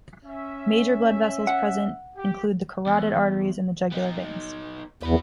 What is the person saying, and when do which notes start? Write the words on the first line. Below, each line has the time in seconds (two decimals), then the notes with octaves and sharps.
Major blood vessels present include the carotid arteries and the jugular veins.
0.25 C#4 E5
1.47 F#5
2.16 G4
2.87 E2
3.92 B3 D#4
5.03 E2 F#4 B4